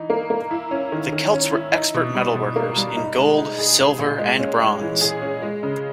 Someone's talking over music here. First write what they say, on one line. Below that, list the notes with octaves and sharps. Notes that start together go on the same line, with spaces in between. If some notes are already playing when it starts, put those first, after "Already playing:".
The Celts were expert metalworkers, in gold, silver and bronze.
Already playing: E3 D#4
A#3
A#3
E4
C#4
D#3
D#3
C#4
E4
D#4
B2
G3
B2
A#3
G3
D#4
G#3
D#4
G#4
G#4
A#2
G#3
C#4
G#3
E3
G#4
C#4
G#3
C#3